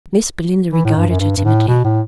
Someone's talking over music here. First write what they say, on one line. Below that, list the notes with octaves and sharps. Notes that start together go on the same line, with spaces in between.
Miss Belinda regarded her timidly.
E3
A2
G2
F#2
G2
G2
A2
B2
A2